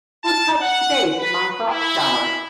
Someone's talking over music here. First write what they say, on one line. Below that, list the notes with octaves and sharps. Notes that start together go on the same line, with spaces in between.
Who Touched Base In My Thought Shower?
A5
F#5
B4
E4